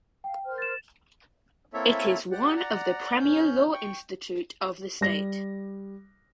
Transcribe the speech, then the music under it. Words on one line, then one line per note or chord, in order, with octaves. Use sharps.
It is one of the premier law institute of the state.
F5 G5
A#4 C5 F6
A6 E7
A#3 C4 E4 A4 C#5 E5
G4 D5 F#5
D5 F#5 A#5
C#4 G6
G5 C#6
G3 A#6